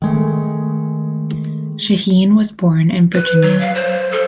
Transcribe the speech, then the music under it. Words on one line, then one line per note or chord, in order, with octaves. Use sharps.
Shaheen was born in Virginia.
D#3 G#3 A3
B4
F#3
F5
C5
A4